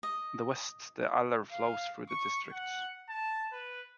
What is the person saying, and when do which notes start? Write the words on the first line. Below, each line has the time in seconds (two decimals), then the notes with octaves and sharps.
In the west the Aller flows through the district.
0.03 D#5
1.51 F5
2.08 C#6
2.52 F#5
3.09 A5
3.52 B4